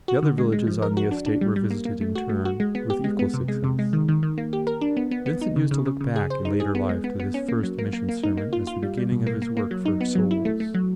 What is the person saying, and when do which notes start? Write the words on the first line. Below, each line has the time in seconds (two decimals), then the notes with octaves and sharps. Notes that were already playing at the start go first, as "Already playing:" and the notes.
The other villages on the estate were visited in turn, with equal success. Vincent used to look back in later life to this first mission sermon as the beginning of his work for souls.
0.08 F#4
0.22 D3
0.38 G#3
0.52 G#3
0.67 F3
0.82 A#4
0.97 F#4
1.11 D4
1.26 D4
1.41 G3
1.56 G3
1.71 A#3
1.85 A#3
2.01 A3
2.15 F#4
2.29 A3
2.45 F#4
2.60 G#3
2.75 B3
2.90 G4
3.04 G#3
3.19 B3
3.34 C3
3.48 G#3
3.64 C3
3.79 G#3
3.93 D#3
4.08 D#3
4.23 D#3
4.38 A#3
4.53 G4
4.67 A#4
4.81 D4
4.97 B3
5.11 B3
5.26 B3
5.41 D#4
5.56 C#3
5.71 C#3
5.86 C#3
6.01 C#3
6.16 G#4
6.30 C5
6.45 D#4
6.60 G#4
6.75 B3
6.89 G#3
7.04 B3
7.20 B3
7.34 C#4
7.48 A#3
7.63 F#3
7.78 A#3
7.93 A#3
8.09 A#3
8.23 D#4
8.37 A#3
8.53 F4
8.67 F4
8.83 G3
8.98 G3
9.12 B2
9.27 A#3
9.42 A#3
9.57 A#3
9.71 F#3
9.85 D#4
10.01 B3
10.15 F#3
10.31 E4
10.45 A3
10.60 A3
10.74 F#3